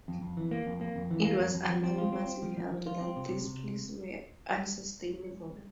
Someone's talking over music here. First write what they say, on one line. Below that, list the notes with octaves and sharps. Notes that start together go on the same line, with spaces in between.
It was unanimously held that these pleas were unsustainable.
F2
F2
E3
A#3
F2
A#3
F2
E3
A#3
F2
F2
F3
C4
F4
C4
C4
F3
F3
F3
F4
C4
C3
C3
C3